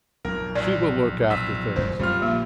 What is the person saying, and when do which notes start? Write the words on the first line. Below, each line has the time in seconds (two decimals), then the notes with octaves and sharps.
She will look after things.
0.25 B1 F2 A#4
0.55 A#1 D5
1.30 A#1 E6 B6
1.76 A1 F#2 C5
2.00 F#2 F#3 G3 C4 F4 F6
2.22 A#1 D3 A#3